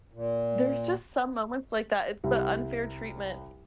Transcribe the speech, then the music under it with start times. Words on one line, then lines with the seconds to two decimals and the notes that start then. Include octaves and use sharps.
There's just some moments like that, it's the unfair treatment,
0.13 A#2
2.24 C2